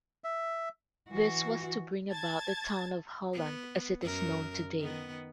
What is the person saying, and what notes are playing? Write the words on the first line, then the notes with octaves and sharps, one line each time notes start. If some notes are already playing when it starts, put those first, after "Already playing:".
This was to bring about the town of Holland as it is known today.
E5
E3 F#4
A5 G#6 A6
B3
F#2 A#4
D#3 B3